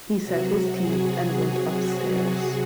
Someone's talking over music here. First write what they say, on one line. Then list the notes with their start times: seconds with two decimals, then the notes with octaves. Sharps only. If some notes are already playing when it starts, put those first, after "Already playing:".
He set his teeth and went upstairs.
0.22 C3 F#3 F#4
0.77 G#4